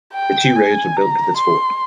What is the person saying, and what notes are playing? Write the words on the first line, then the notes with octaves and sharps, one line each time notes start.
Two roads were built to this fort.
G5
G#5
A#5
C6